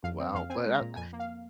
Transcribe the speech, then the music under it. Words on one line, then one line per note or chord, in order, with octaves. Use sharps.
wow, but, ah
F2 F5
C4
F2 F5
C4 G#5
G#3
A#5
A#2
F2 G#5
A#3
F5